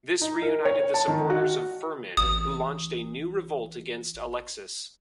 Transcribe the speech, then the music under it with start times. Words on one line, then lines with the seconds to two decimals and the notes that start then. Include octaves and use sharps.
This reunited the supporters of Firmin, who launched a new revolt against Alexis.
0.21 D#4
0.42 A#4
0.65 C#5
0.94 A5
1.08 D#3
1.30 F#4
2.17 A1 D#6